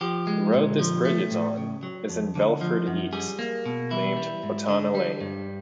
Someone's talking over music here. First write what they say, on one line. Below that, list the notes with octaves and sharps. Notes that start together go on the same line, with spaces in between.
The road this bridge is on, is in Belford East, named Pothana Lane.
F3 G4
G#3
A#2
F3
A3
A2
C#3
F#3
F2
D3
F3
F#2
G3 G#4
A#3
B2
E3 E4
G3
G#2
D3 D4
G3
G2